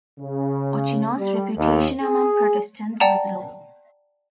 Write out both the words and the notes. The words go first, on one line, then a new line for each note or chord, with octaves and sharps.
Ochino's reputation among Protestants was low.
C#3
G3
D#2
G#4
D5 F#5 G5 A5 A#5